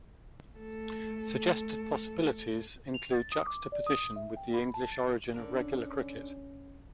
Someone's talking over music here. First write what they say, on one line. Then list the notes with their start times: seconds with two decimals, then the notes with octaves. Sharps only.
Suggested possibilities include juxtaposition with the English origin of regular cricket.
0.55 A3 A4
2.94 F7
3.13 A6
3.32 D#6
3.47 D6
3.72 D5
3.87 D#6
4.16 E5
4.37 G5
4.54 B5
4.74 A5
4.92 A6
5.34 D3 C#4 D4 A#4